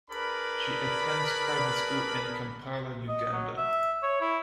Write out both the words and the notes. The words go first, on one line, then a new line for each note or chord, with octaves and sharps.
She attends private school in Kampala, Uganda.
D4 G#4 A#4 B4 D5 B5
D#5
F#3
E5
C#5
E4